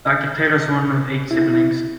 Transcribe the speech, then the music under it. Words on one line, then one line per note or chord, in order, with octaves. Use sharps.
Doctor Taylor was one of eight siblings.
E4